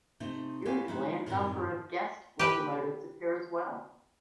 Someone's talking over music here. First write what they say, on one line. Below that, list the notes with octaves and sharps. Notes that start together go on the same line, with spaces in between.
Usually a number of guest locomotives appear as well.
C3 A3 C4 D#4
B3 E4 G4 C#5 F5 G#5
G#3 D#4 E4
F#2 A2 C3 D#3 A#5
G4 B4